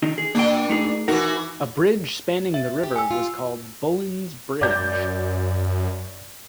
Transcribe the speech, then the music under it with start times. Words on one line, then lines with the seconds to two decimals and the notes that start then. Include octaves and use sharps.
A bridge spanning the river was called "Bullen's Bridge.".
0.03 D#3 D4 D#4
0.18 G#4
0.35 A#2 A#3 D4 G5
0.70 A3 D#4 G#4
1.08 E3 D#4 F#4 A#4
2.54 E5
2.83 G4
2.96 G#5 E6
3.11 F4
4.61 F#2 D5 G6